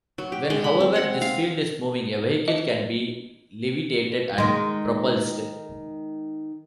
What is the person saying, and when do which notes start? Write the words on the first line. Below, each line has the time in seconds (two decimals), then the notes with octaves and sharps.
When however this field is moving, a vehicle can be levitated and propulsed.
0.18 F#3
0.32 G4
0.50 G#3
0.64 B5
0.80 C4
0.96 F#5
1.22 F5
2.48 D#5
4.38 D#3 G#3